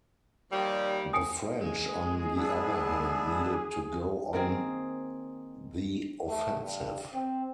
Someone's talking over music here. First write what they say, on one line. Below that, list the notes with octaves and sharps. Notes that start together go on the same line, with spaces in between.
The French on the other hand needed to go on the offensive.
D#2 F3 G3
G5 G#5 D#6
G#3 G#4
B3 D4 E4
D#3 A#3 C4 G#4
A3
G2
C4